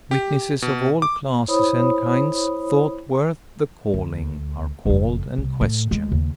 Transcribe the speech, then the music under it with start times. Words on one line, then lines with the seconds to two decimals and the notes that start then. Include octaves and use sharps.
Witnesses of all classes and kinds thought worth the calling are called and questioned.
0.11 G4
0.62 B2
1.02 D6
1.48 E4 C5 C#5 B5 D#6
3.94 D2
4.85 F#1 F2
5.38 C2
5.61 A2
5.91 G#3
6.08 D#2 C#3